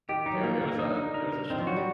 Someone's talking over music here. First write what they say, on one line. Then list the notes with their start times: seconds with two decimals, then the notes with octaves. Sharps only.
it it was a it was a struggle.
0.09 D#3 G4
0.26 D#4
0.32 F#3
0.43 F3 A#3
0.61 D#3 A#3
0.79 D3 D#4
0.95 D3 D#4
1.14 A#4
1.32 A#4
1.50 D#3 C4
1.58 F3
1.67 F#3 F#4
1.76 G3